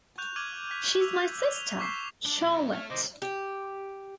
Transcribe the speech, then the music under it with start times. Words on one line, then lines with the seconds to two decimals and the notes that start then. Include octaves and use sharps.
She's my sister, Charlotte.
0.18 C#6 F#6 G6 F7
0.36 D6 F6 G#6 D#7 F#7
0.71 F#6 G#6 B6
1.01 E6 F7
1.51 F7 G7
1.79 C#6 D6 B6 C7 E7
2.25 D4
2.41 F2 A#2
2.74 A3 C#5 F6
2.90 C3 D#3 C5 D#5 D6
3.22 G4